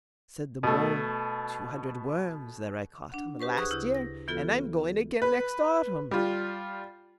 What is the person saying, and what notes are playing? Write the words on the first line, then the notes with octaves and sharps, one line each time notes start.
Said the mole, "Two hundred worms--there I caught 'em Last year, and I'm going again next autumn."
B2 A3
D4 F#5
G4 B4 C5 C#6
D2 G#4 C#6 D#6 F#6
C#3 E4 G6
A#6
E3 B3 F4 F#4 A4
B4
G3 F4